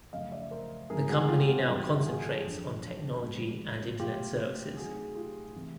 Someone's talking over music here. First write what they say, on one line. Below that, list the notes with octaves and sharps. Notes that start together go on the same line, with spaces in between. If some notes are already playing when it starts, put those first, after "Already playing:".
The company now concentrates on technology and internet services.
F#2 C#3 F3 A3 D#5 F5
D5 E5
A#4 C5
G#2 F3 A3 G#4 A#4
F#4 G#4
F4 G4
F#4 G#4
G2 E3 G3 F4 G4
E4 F#4
F#4 G#4
G4 A4
F2 D3 F#3
G#2 F3 G#3
B2 F#3 A3 F4 G4
C3 D#3 F#3 A3 F#4 G#4
F4 G4
C3 E3 A3